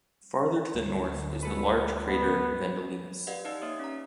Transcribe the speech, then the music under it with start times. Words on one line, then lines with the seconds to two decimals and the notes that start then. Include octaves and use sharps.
Farther to the north is the large crater Vendelinus.
0.75 D2
1.43 G#3 A4 B4
2.06 B3
3.27 G4 B4 D5 D#5 F5 F#5
3.45 D#4 G4 D5 F5 A5 E6
3.62 A#3 D#4 C#5 E5 D#6
3.79 C#4 A#5